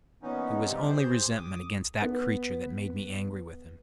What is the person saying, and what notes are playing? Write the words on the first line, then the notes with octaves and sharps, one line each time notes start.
It was only resentment against that creature that made me angry with him.
A#2 E3 B3 C#4 D#4
C3 G3 C4 D#4 F4 G4
G4 G#4 C5 C6 G6
D6 D#6
B3 B4